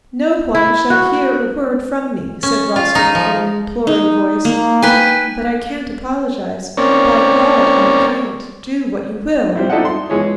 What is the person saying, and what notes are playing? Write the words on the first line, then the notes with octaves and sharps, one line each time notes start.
No one shall hear a word from me," said Rostov in an imploring voice, "but I can't apologize, by God I can't, do what you will!
E4
F#4
C#4
F4
D#4
F3
D#4
A#3
B4 G5 G#5
A#3 C4 C#4 C#5 D5
G3 C4 E4
D#4 E4 A4 D5 D#5 F#5
C6
E3 G#3 C#5